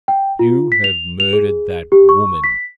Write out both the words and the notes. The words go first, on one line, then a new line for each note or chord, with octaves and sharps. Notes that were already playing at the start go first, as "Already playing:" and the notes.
"You have murdered that woman."
G5
F4
B6
F7
F7
G#4
G4
C#6
B6